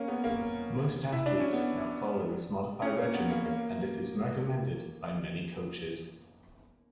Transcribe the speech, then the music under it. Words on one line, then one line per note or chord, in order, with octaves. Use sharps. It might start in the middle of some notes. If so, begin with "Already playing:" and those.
Most athletes now follow this modified regimen and it is recommended by many coaches.
Already playing: A#3 C#4
B3
A#3
E4
D4
C#4
B3
C#4
A#3
B3
A#3
A#3